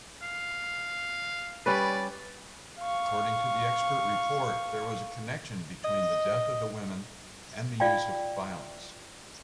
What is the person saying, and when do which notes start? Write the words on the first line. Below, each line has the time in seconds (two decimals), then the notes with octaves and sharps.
According to the expert report, there was a connection between the death of the women and the use of violence.
0.22 F5
1.66 G3 C#4 B4 D5
2.79 F5 C#6
5.84 D#5
7.80 F4 D5 F5 G5